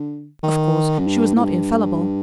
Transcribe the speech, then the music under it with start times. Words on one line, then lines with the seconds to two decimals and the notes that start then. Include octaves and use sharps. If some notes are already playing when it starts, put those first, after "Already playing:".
Of course she was not infallible.
Already playing: D3
0.43 D#3
0.99 F#2
1.07 G2
1.35 A2
1.41 G2